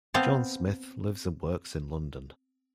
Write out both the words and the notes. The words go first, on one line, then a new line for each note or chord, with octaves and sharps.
John Smith lives and works in London.
B3 C4 F5 A5